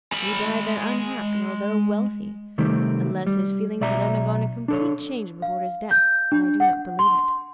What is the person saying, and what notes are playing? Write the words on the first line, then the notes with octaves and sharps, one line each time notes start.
He died there unhappy, although wealthy, unless his feelings had undergone a complete change before his death, and I do not believe it.
G#3 B5
C3 D#3 G3 A3 C4
G3
B1 D5 E5 A#5
D4 A4 C#5
F5
G6
D4
F#5
C6